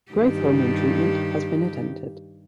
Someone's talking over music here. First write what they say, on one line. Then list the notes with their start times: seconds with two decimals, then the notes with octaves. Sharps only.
Growth hormone treatment has been attempted.
0.12 G2 D#3 G4